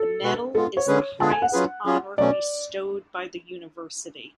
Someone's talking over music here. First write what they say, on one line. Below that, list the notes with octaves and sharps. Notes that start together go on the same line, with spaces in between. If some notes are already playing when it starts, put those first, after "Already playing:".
The medal is the highest honor bestowed by the university.
Already playing: A4
B2 G#3 B3 F#4 B4
G#3 B3 F4 A4
C#5
D3 G#3 C#4 G#4 B4
D3 G#3 B3 F4 G#4 A5
G#5
F#5
F#3 C#4 F4 G#4 B4
F#3 C#4 F4 G#4
B2 F#3 A3 C#4 D5